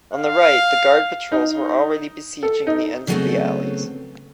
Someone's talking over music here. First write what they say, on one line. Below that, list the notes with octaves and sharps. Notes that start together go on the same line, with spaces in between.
On the right, the guard patrols were already besieging the ends of the alleys.
F5
D#4
A4
D#4
C#3 F#3 G3 A3 B3 C4